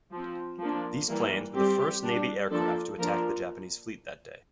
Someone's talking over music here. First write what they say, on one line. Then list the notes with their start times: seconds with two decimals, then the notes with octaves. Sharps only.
These planes were the first Navy aircraft to attack the Japanese fleet that day.
0.12 F3 C4
0.60 F3 A#3 D4
1.08 E3 G3 A#3
1.55 G3 C4 G4
2.03 G3 D4
2.51 F3 A#3 D4 A4
2.98 F3 A#3 D4 A#4